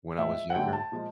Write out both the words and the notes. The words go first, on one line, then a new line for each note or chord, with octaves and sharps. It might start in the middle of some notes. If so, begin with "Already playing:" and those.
when I was younger,
A2 F3 G#3 E5
F#5
F#2 D3 F#3 A3 G5
A5
A#2 F3 G#3